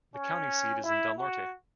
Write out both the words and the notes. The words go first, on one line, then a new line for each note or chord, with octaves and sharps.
The county seat is Del Norte.
C#4
E4
F#4